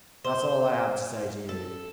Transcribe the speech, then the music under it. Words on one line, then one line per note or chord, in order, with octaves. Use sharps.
That's all I have to say to you.
C5
A4